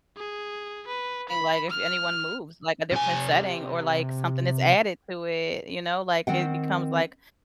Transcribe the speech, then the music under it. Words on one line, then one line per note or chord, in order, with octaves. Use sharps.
like if anyone moves, like a different setting or like something is added to it, you know? Like, it becomes, like
G#4
B4
B5
F6
C3 G#5
D#3 C4 F#5 G5